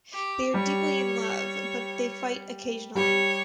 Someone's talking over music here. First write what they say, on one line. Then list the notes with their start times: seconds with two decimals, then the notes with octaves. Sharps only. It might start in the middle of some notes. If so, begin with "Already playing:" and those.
They are deeply in love, but they fight occasionally.
0.13 G4
0.54 G3 G4 C#5
2.95 G3 G4 C#5